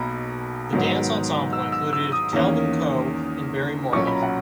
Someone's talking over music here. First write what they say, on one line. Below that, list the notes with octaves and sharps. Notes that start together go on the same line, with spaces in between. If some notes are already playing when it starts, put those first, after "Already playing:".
The dance ensemble included Kelvin Coe and Barry Moreland.
Already playing: B1 B2 A#3 A#5 B5
G#2 D#3 F#3 B3
E6
E6
E6
D#6
E2 D#3 A#3 C#4
B1 A#2 F#3 C#4 C#6
B5
A#5
F#5